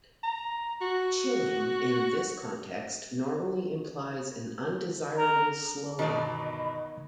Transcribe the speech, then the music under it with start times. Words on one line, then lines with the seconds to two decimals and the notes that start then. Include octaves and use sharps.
"Chilling" in this context normally implies an undesirable slowing.
0.23 A#5
0.81 F#4
5.18 A#4
5.99 G1 B2 D#3 D5 D#5 A5 B5